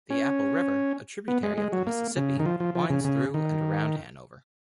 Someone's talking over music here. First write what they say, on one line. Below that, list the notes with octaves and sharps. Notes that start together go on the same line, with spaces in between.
The Apple River, a tributary of the Mississippi, winds through and around Hanover.
C#4
B3
G#3
G#3
F#3
A#3
C#3
D#3
F3
F3
F3
C#3
C#3
D#3